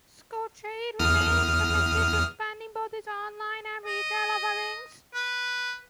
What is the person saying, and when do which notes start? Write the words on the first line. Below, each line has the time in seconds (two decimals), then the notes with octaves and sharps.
Scottrade remained committed to expanding both its online and retail offerings.
0.99 E2 D#6 F6
3.86 D#5
5.14 B4